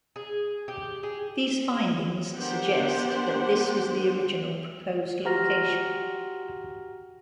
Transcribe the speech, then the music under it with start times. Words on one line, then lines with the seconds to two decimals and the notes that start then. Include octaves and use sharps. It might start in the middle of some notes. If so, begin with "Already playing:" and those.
These findings suggest that this was the original proposed location.
0.16 G#4
0.68 G4
1.03 G#4
2.34 B3 D4 G4 A#4 C5 F#5
5.25 F#4 G4 F#5 A#5 F6 A#6